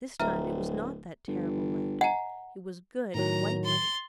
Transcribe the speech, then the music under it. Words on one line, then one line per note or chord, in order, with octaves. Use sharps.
This time it was not that terrible light; it was good, white light.
D1 E5 A#5 F6
G1
D#5 F#5 G#5 A#5
A2 D#3 F#3 A#5
C6 A6